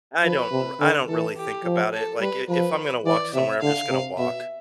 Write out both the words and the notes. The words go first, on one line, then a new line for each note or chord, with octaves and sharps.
I don't r I don't really think about it, like, i if I'm gonna walk somewhere, I'm just gonna walk,
F3 B4
C3
D3
E3 A4
G4
F3
A4
G3 B4
F3 B4
E3 D5
C3 E5
D3 F5
C3
B2 E5